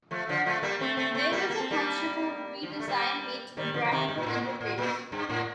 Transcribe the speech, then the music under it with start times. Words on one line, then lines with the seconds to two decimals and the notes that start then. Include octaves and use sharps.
There was a considerable re-design made to the graphical interface.
0.11 F3 A3
0.29 D3 F3
0.46 F3 A3
0.63 G3 A#3
0.80 A3 C4
0.97 A3 C4
1.14 A3 C4
1.32 G3 A#3
1.50 A#3
1.60 C4
1.71 G3 A#3
2.63 F3
2.72 G3
2.80 A3
2.88 G3 A#3
3.57 D#3 G3
3.74 D3 F3
3.84 F3
3.91 C3 D#3
4.09 G2
4.18 A#2
4.26 A2
4.43 A#2
4.61 A2
4.78 A#2
5.12 G2
5.29 A2